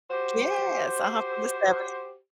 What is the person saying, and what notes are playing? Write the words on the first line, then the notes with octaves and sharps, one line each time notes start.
Yes. Uh-huh, from the seventy
F#4 G4 C5